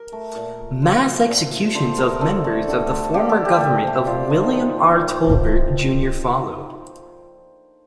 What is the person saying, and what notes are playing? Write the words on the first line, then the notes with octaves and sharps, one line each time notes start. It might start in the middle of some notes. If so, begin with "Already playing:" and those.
Mass executions of members of the former government of William R. Tolbert, Junior followed.
Already playing: A#4
A3
A#2
A3
A#2 C5
A3
A#2
A3
D3 C5
A3 A#4
D3 A4
A3
D3
A3
D3 G4
A4
A3
G4
A#2 G4
F3 A3
A#2 F4
F3 A3 D#4
A#2
F3 A3
A#2
F3 A3